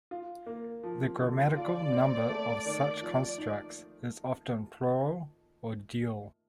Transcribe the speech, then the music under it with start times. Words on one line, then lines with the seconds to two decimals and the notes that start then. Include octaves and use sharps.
The grammatical number of such constructs is often plural or dual.
0.11 F4
0.46 A#3
0.83 F3
1.20 D3
1.56 F4 D5
1.92 C4
2.29 A3
2.66 D#3
3.01 F3
3.38 D#4